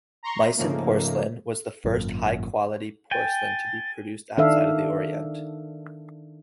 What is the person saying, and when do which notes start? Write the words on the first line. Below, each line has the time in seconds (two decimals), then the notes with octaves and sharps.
Meissen porcelain was the first high-quality porcelain to be produced outside of the Orient.
0.23 A#5 C6 C#6
0.57 G#2 C#3 F3 A3 A#3
1.85 G#1 F#2 A#2
3.11 G5 G#5 A6
4.37 D#3 D4 A4 E5 F5